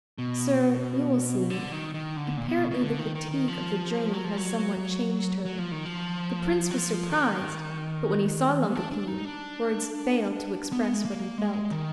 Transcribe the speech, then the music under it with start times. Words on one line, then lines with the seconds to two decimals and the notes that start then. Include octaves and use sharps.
"Sir, you will see; apparently the fatigue of the journey has somewhat changed her." The Prince was surprised, but when he saw Longue Epine words fail to express what he felt.
0.18 B2
1.50 D3
1.72 D#3
1.94 D#3
2.17 D3
2.37 A#2
2.49 B2
2.71 B2
2.81 D3
2.98 D#3
3.15 D#3
3.31 D#3
3.48 F3
4.14 F#3
4.25 F3
4.37 F#3
5.45 F#3
5.59 F3
5.72 D#3
5.85 F3
6.71 F#3
6.78 F3
7.10 D#3
8.70 B3
8.75 D4
8.92 D4
9.08 D#4
9.25 D4
10.72 B3
10.93 G#3
11.05 A#3
11.38 G#3
11.71 D#3